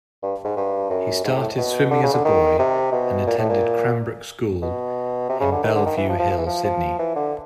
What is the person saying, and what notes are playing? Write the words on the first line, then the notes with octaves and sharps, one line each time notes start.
He started swimming as a boy and attended Cranbrook School in Bellevue Hill, Sydney.
G2
G#2
G2
F#2
G#2
A2
B2
D3
C#3
D3
D#3
C3
B2
A#2
A2
A#2
B2
C3
C#3
D3
D#3
D3
D#3
E3
F3
F3
F3
E3
F3
F3
E3
D3